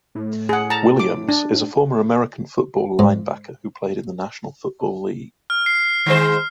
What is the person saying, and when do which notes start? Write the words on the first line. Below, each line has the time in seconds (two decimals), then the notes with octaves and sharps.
Williams, is a former American football linebacker who played in the National Football League.
0.15 A2
0.49 G#4 F#5
0.70 A5 A#5
1.00 D6
1.29 D4
1.53 A2
2.99 G#2
5.50 F6
5.66 C7
6.06 D#3 G#3 C5